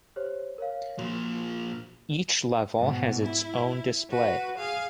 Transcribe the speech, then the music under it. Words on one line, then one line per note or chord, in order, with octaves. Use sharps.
Each level has its own display.
G4 C5 C#5
A#4 C#5 F5
A#2 F3 F#4
G#2 B2
E4
F#4 B4
G#4 F5